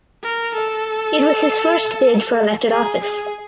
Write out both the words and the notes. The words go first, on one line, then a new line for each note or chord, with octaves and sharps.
It was his first bid for elected office.
A#4
A4
G#4
G#4